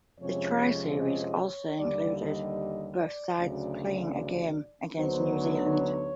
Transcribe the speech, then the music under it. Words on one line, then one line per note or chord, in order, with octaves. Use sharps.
The Tri-series also included both sides playing a game against New Zealand.
F2 C3 F3 G#3 C#4 C#5
D#5
C#5
D#2 D3 G3 D5
D#5
D5
D2 C#3 F#3 D5
D2 D3 F#3 B3 D#4 C5
C#5